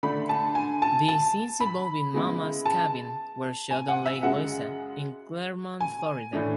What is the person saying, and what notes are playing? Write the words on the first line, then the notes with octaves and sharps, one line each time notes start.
The scenes involving mama's cabin were shot on Lake Louisa, in Clermont, Florida.
D3 A3 D4 B5
A5
G#5
A5
A5
B5
C#3 G#3 B3 E4
A5
G#5
F#5
E5
F#2 C#3 G#3 F#5
G#5
A2 E3 A3 D4